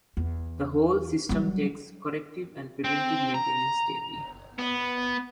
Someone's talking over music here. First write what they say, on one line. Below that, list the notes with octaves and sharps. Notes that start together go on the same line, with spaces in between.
The whole system takes corrective and preventive maintenance daily.
E2
F#3 G3
C4
A#5
B3